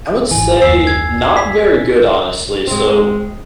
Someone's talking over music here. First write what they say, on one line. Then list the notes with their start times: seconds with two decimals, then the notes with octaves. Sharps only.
I would say, not very good, honestly, so,
0.31 G#1 E3 G#5
0.62 F#1 D#2 E6 C7
0.87 G#6
1.37 B6
2.67 G#3 C4